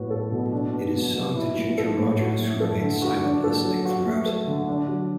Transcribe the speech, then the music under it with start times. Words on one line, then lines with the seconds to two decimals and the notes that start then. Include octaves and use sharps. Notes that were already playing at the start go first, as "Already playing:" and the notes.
It is sung to Ginger Rogers, who remains silent listening throughout.
Already playing: A2 B3 F#4
0.10 A4
0.32 B2
0.52 D4
0.73 B3
0.94 B2
1.15 B2
1.35 E4
1.56 A3
1.78 A4
1.98 A2
2.19 F#4
2.39 A3
2.60 A4
2.81 D3
3.02 F#4
3.23 D4
3.44 A4
3.64 F#3
3.85 F#4
4.06 A3
4.26 A4
4.47 D3
4.68 D4
4.88 F#3